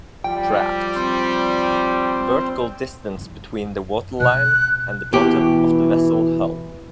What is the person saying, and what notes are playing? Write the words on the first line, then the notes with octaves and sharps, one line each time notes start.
Draft- Vertical distance between the water line and the bottom of the vessel hull.
F3 G3 G5
C4
F#2 D4
B2 F#6
B2 E3 G4